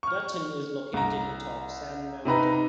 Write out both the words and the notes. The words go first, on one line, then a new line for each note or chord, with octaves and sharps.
Dutton is located atop Sand Mountain.
C#6 F6
C2 A#5
C3 D#4 B4 A#5